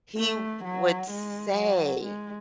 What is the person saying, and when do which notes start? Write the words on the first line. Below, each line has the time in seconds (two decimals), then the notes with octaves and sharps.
he would say
0.18 A3
0.64 F#3
1.11 G#3
1.57 F#3
2.04 G#3